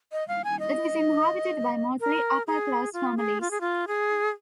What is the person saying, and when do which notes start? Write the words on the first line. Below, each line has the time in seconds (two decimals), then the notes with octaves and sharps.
It is inhabited by mostly upper-class families.
0.12 D#5
0.28 F5
0.44 G#5
0.60 D#5
2.00 A#4
2.47 G#4
2.94 F4
3.17 G#4
3.41 F4
3.51 G#4
3.61 F4
3.88 G#4